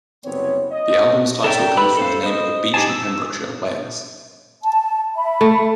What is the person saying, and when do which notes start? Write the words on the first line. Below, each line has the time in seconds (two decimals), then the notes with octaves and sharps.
The album's title comes from the name of a beach in Pembrokeshire, Wales.
0.25 F#1 C2 B3 C4 C#5
0.71 D#5
1.44 A4 A#4 D5 E5 G5
1.77 G4 B4 B5 E6
1.97 A4 C5 F5
2.23 C5 D#5
2.74 D#4 G4 G#4 G#5 A5
2.90 E6
4.62 A5
5.15 E5 B5
5.41 A3